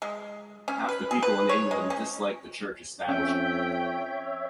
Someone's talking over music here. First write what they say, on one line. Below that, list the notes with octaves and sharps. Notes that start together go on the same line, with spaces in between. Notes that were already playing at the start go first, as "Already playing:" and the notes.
Half the people in England dislike the church establishment.
G#3
C#4
B4
G#4
B4
C#5
G#3
C#4
F2 C#4 C#5 E5 G5